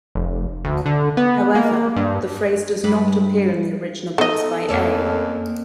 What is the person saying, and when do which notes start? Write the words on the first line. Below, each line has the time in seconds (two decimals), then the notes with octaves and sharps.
However, the phrase does not appear in the original books by A.
0.15 F1
0.65 D2
0.86 D3
1.17 B3
1.55 A#3
1.96 G2
2.84 G2 B4 D5
4.18 B3 D#4 A4 D#5
4.69 F2 A#3 C#4 A4